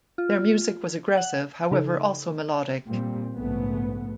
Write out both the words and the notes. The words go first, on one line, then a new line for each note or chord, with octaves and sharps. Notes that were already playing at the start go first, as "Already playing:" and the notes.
Their music was aggressive however also melodic.
F4
F#5
C#3 D#4 A4
A#2 G3 C4
A#1 G#2 C#3 A3 B3